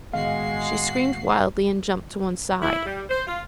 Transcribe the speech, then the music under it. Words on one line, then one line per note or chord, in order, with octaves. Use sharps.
She screamed wildly and jumped to one side.
A2 D#3 G#3 B3 F#4 F5 C7
E4
G3
C5
F4